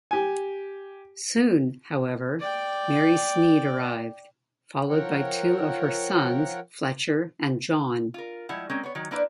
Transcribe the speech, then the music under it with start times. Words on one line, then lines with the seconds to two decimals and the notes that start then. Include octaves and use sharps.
Soon, however, Mary Snead arrived, followed by two of her sons, Fletcher and John.
0.11 G4 G#5
2.40 D5 G5
4.88 F3 A#4 C#5 F#5 G5
8.14 F4 A#4
8.49 F3 G3 G#3 E4 F#5
8.70 G#3 A#3 C4 C#4
8.83 B3 C#5
8.95 D#3 F#3
9.11 A#3 D4 E4 B4 C5 D5